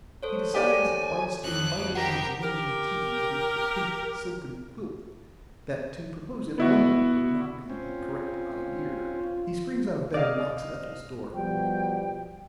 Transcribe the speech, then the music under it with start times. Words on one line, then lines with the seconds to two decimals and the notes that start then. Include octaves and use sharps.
He decides "whilst imbibing his morning tea beneath the pink silken quilt," that to propose in London would not be the "correct idear." He springs out of bed and knocks at Ethel's door.
0.23 A4 C5 C#5
0.54 G4 D5 G#5
1.44 F2 F#6
1.95 G4 A#4 F#5 A#6
2.43 G4 A#4
6.58 B3 E4 F#4
7.70 C4 C#4 F4
10.14 D5 D#5 F5 F6
11.35 B2 F3 G3 G5